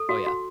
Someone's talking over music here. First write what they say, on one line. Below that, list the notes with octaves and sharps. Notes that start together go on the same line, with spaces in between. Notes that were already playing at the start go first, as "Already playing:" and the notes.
Oh, yeah.
Already playing: A4
F#4
F#4